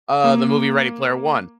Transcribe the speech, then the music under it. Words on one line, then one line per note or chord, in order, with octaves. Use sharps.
Uh, the movie, Ready Player One.
A#3